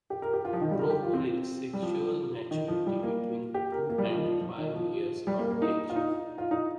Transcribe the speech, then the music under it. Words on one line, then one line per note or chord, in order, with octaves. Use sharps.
Rohu reach sexual maturity between two and five years of age.
G4
A#4
G4
F4
F3
D#3
G3
A#4
G4
F4
C4
G3
F3
D#3
F3
G3
A#3
G4
A#4
A#3
G3
F3
D#3
F3
F3
D#3
F3
G3
A#3
A#3
D#4
F4
D#4
F4
D#4